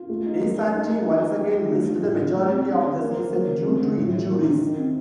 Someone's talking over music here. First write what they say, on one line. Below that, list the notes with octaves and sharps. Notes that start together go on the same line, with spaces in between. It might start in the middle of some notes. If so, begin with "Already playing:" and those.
Aisatti, once again, missed the majority of the season, due to injuries.
Already playing: F4
A3
D#4
A#3
A4
D#4
A#3
D#4
D#4
G4
G4
A3
F4
A2
G3
A3
C4
D4
D4
A#3
C5
A#3
A#3
C4
D3
A2
A2
A#3
A#3
D#3
C4